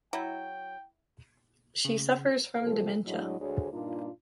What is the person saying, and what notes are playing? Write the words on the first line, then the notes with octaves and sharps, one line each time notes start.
She suffers from dementia.
F#3 E4 G5
C#3
C3 F3 G#3 A4
A2 F#3 G#3 D4 E4 D#5
D2 G#3 C#5
G2 A#2 A#3 D4 D#4 F4